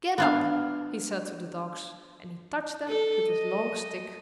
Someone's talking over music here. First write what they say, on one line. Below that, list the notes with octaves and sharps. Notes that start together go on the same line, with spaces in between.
"Get up!" he said to the dogs, and he touched them with his long stick.
B3 D4 F5
A4
D#5